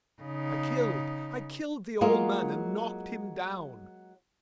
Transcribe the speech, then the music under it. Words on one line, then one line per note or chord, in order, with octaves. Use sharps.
I killed, I killed the old man and knocked him down....
C#3 D#4
F#3 G#3 A#3 F4